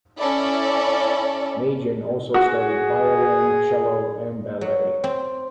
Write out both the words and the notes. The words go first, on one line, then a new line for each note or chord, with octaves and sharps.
Magin also studied violin, cello and ballet.
C#4 E4 A4 D5
F#4 G#4
F#3
C4